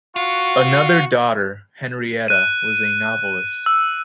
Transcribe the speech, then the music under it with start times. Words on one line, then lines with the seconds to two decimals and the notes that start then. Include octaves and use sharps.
Another daughter, Henrietta, was a novellist.
0.16 F4 F#4 C#6
2.28 F#6 D#7
3.66 E6